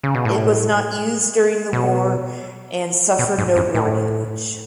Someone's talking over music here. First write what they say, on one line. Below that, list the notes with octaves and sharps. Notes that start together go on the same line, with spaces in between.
It was not used during the war and suffered no war damage.
C#3
B2
A2
B2
B2
G#2
F#2
A2